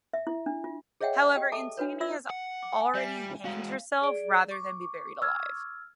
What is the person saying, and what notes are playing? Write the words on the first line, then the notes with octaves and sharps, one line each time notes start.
However, Antigonae has already hanged herself rather than be buried alive.
E5
E4
D4
F4
G#4 C#5 D#5 E5 F#5 G5
D5
G4 D#5 G5
A4 E5 A5 D6
D4 F#4 B4 C#5
F4 D5 E5 E6
F#5
D6
G#5
G3 D5 E5
G#3 F#4 F5
G#4 D5
C#6 D6
E6 F6 G#6